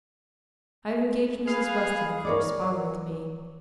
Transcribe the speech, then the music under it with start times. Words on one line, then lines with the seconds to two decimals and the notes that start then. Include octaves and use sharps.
I have engaged Mrs. Weston to correspond with me.
1.47 G#4 B4 F5
2.25 A#4 C#5 D5